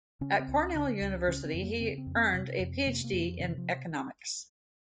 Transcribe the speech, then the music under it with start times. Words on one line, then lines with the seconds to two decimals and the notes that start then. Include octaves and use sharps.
At Cornell University he earned a Ph.D. in economics.
0.21 C#3 C#4
0.39 C4
0.48 C#2
0.57 C#4
0.75 C#3
1.01 C#2
1.28 C#3 C#4
1.45 C4
1.54 F2
1.63 A#3
1.80 C#3 C4
1.98 C4
2.06 F2
2.16 C4
2.34 C3
2.60 F2
2.87 C3 A#3
3.04 A#3
3.13 F2
3.22 F3
3.40 C3 D#3
3.58 F3